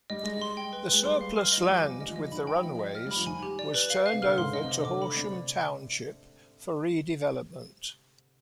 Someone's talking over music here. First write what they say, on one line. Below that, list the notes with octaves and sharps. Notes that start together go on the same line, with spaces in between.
The surplus land with the runways was turned over to Horsham Township for redevelopment.
G3 D#5
G#3 D#5
G3 C6
G5
B4
G#3 B4
G3 C6
F5
F6
D#5
F3
G3 D6
G#5
G3 D#5
F3
G3 D#5
D#3 B5
G5
F3 D#5
D#5
F6
G3 B5
F3
D#3 G#5
G4
D5
B4
F5
F5
C3
D3 F6
G#2 C6
D#5
C3
D#5
D3
D3 D6
B5
C3 D5